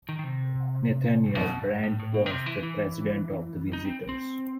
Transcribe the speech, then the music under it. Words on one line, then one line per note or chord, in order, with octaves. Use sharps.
Nathaniel Brent was the president of the visitors.
D#3
D#3
C3
A2
B2
G2
A2
A2
B2
D#3
C3
E3
E3
D#4
C4
C4